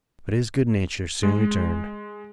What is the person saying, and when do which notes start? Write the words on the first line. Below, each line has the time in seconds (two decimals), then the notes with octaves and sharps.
But his good nature soon returned.
1.23 G#3